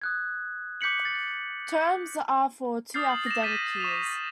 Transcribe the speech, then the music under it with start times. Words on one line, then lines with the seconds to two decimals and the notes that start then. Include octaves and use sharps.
Terms are for two academic years.
0.02 D#6 F#6 G#6
0.81 D6 G6 B6 C#7 F#7
1.05 A6
2.94 D6 D#6 F6 G6 A6 C7
3.09 F#7
3.26 A#6 E7
3.42 F6 G6 A6 B6 D#7 E7
3.80 C#6 E7 F7